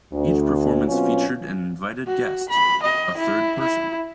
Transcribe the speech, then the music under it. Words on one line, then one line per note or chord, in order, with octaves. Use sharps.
Each performance featured an invited guest: A third person.
D2
B2 F#3 C4 C#4 F4 B4
F#4
B5
D#5
E4
E4